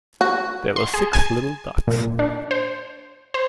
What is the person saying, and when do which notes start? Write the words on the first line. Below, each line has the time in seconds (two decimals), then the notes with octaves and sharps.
There were six little ducks.
0.21 F#4
0.76 C6
0.94 G#4
1.13 G#5
1.87 A#2
2.19 D4
2.51 C5
3.34 C5